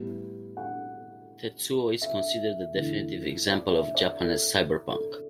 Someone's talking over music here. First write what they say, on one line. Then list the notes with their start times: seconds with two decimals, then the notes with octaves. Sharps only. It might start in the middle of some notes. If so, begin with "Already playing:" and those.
Tetsuo is considered the definitive example of Japanese cyberpunk.
Already playing: A2 G3 B3 E4
0.57 F#5
2.02 E5
2.74 E2 D3 A3 E4
3.47 D5
3.71 E5
3.95 D5
4.19 A4
4.91 A4